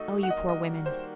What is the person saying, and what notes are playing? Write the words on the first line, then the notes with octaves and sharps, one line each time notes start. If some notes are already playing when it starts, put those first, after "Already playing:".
O you poor women!
Already playing: D#3 A3 D#4 F#4 A4 D#5
F#5
D#3 G3 A#3 F#4 A#4 D#5
D#5
C5